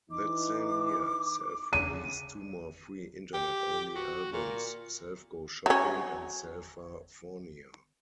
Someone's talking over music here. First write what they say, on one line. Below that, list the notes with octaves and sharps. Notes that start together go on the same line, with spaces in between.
That same year, Self-released two more free Internet-only albums, "Self Goes Shopping" and "Selfafornia".
E3 D#4 D6
C#3 D#7
G4
F#4
A#2
F#3 C#4